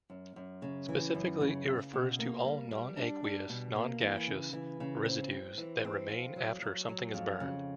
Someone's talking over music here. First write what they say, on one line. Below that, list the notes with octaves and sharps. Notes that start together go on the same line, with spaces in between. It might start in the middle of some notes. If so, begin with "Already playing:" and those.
Specifically, it refers to all non-aqueous, non-gaseous residues that remain after something is burned.
F#2
F#2
C#3
E3
F#2
C#3
C#3
B2
A#3
G3
G3
D4
G3
B2
A#3
E3
C#3
E3
C#3
C4
C4
E3
C4
F2
F#3
F#3
F#3
F2
C#3